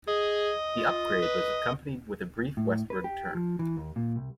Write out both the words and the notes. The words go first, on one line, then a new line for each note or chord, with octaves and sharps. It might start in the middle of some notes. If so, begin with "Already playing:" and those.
The upgrade was accompanied with a brief westward turn.
G#4 D#5
F4
B4
A2
B4
G4
F3
E3
D#2
A#2
C2